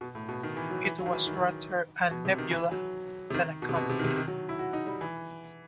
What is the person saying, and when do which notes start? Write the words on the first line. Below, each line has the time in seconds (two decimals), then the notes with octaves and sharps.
It was rather a nebula than a comet.
0.01 B2
0.15 A2
0.29 B2
0.43 D#3
0.57 E3
0.71 F#3
0.84 E3
0.99 F#3
1.06 D#3
1.13 E3
1.27 D#3
2.11 B2
2.25 C3
2.38 D#3
2.51 E3
2.71 F#3
3.30 C3
3.34 D#3
3.62 B2
3.69 C3
3.76 B2
3.90 C3
3.99 D#3
4.04 C3
4.17 D#3
4.28 F#3
4.49 E4
4.59 F#4
4.73 D#4
4.87 G3
5.01 E3